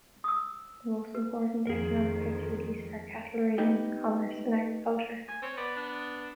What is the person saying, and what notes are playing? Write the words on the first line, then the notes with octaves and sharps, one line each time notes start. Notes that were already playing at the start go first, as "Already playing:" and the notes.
The most important economic activities are cattle raising, commerce, and agriculture.
D#6 E6
B4
F2 D#3 G#4 A#4
B3 D#4 G4
G#5
C4 C#5
B3 D5
D4